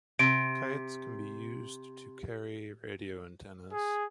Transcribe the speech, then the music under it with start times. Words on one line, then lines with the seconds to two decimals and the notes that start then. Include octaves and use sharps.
Kites can be used to carry radio antennas.
0.19 C3 D7
3.73 G#4